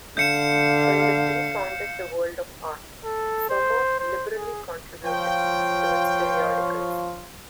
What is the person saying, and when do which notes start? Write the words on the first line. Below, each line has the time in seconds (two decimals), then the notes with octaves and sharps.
When the three founded the "World of Art", Somov liberally contributed to its periodicals.
0.17 D3 F5 G6 C#7 E7
3.04 A4
3.50 C5
3.99 C5
4.36 G#4
5.04 F3 F4 C#5 G5